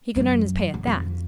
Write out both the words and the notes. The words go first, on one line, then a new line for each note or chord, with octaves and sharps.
He could earn his pay at that.
F2
F#2
E2
F2